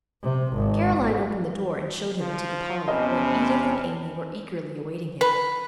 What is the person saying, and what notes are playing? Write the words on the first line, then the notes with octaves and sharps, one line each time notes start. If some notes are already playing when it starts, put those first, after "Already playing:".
Caroline opened the door and showed him into the parlour, where Edith and Amy were eagerly awaiting him.
C3
G#1
F3
E2 C3 C#4 D#5 A5 B5 F6
B4